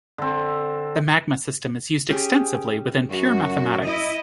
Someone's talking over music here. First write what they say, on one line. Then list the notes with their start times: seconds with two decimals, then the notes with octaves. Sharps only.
The Magma system is used extensively within pure mathematics.
0.18 D3 C4
2.09 C#4 G4 G#4
3.11 F#2 F#4
3.85 E4 D#5